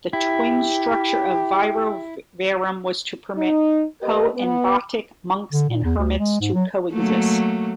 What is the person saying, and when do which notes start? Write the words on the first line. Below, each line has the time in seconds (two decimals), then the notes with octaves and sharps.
The twin structure of Vivarium was to permit coenobitic monks and hermits to coexist.
0.13 E4 G4
3.36 D#4
4.01 A3 A#3 G4 A#4 B4 D#5
4.34 B3
5.53 D3
5.69 A#2
5.84 E2
5.97 D2
6.19 G#3
6.41 G#2
6.54 F#3
6.91 F#3 A3 A#3